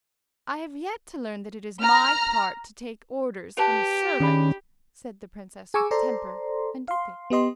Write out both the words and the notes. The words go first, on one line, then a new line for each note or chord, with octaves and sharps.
"I have yet to learn that it is my part to take orders from a servant," said the princess with temper and dignity.
A#5 F6
G4 B4 A5
D#3 C#4 D4 G#4 B5
G#4 G#5 A#5 C#6 D6 E6
A4 C5 D5 A#5 C6
F5 C6
B3 G4 D#5 C6